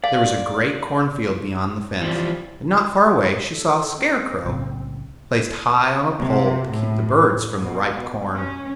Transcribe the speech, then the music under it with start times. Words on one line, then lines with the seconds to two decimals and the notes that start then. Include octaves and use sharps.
There was a great cornfield beyond the fence, and not far away she saw a Scarecrow, placed high on a pole to keep the birds from the ripe corn.
0.04 D5 F5
2.01 E3 F3 G3
3.50 A4
3.97 C4
4.44 B1 A2 C#3
6.18 C3
6.69 A2
7.58 B2
8.34 C#4